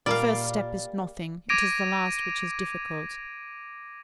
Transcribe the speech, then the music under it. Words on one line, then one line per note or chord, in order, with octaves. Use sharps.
The first step is nothing, it is the last which is difficult.
A#2 G3 A#3 D5 F5
D6 G#6 A#6 D7 D#7